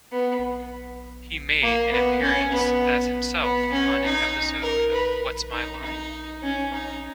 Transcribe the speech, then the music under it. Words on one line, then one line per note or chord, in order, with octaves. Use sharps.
He made an appearance as himself on an episode of What's My Line?
B3
A#3
B3
C#4
B3
B3
C#4
D#4
A#4
B4
D#4
D#4
C#4
D#4